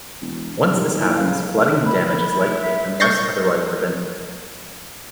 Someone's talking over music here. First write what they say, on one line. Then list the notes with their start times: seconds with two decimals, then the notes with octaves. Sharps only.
Once this happens, flooding and damage is likely unless otherwise prevented.
0.21 E1
0.55 G#1
0.76 D#2 G3
0.98 A#2 E4
1.17 C#3 F5
1.85 B5
2.19 B5
2.34 E4
2.62 E5
3.00 C#6 G6 A6 A#6 C7